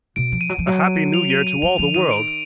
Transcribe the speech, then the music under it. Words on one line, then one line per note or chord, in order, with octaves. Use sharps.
A happy New Year to all the world!
B2 D7
F3
D#7
F#3
F3
F#3
F7
D#7
D#7
F#3 F7
F3 F7
D#3 D#7
D7